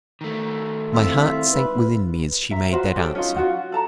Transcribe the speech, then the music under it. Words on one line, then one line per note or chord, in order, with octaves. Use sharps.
My heart sank within me as she made that answer.
D#3 A3
C2 F4 E5
G#2 B4
E5 A#5
F4 F#4 B4 C5
F#4 G4 A4 C#5
C#4 D#4 F4
F4 F#4 F#5
A4 A5 A#5